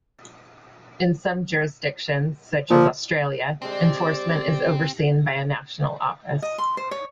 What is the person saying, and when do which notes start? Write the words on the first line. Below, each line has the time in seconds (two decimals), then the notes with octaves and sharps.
In some jurisdictions, such as Australia, enforcement is overseen by a national office.
2.70 A#2 F3
3.62 D3 G3 G#3 C4 G4 D5
6.42 D#5
6.58 C6
6.77 C5
6.91 C#5